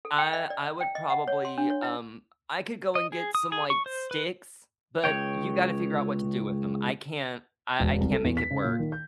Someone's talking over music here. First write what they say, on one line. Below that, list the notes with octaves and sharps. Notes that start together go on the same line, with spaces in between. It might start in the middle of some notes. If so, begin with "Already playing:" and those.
I I would probably, um, I could go and get some, like, sticks, but you gotta figure out what to do with them. I can't I I can't make it work.
A4
G5
D#5
D5
G5
D#5
F#5
C#5
C6
D4
C#5
E4
D#5
G#4
D#6
G#4
C#6
C5
B4
C#2 F3 C#5 G5
E1
C2
A4
E2
B6
C#3
A#2
D#3
G6